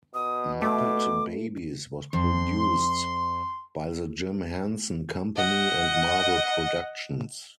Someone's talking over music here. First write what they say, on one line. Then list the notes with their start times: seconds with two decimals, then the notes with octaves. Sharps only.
"Muppet Babies" was produced by The Jim Henson Company and Marvel Productions.
0.14 B2 D#6
0.62 A3 D6
2.13 F2 C6
5.36 D#5 F#5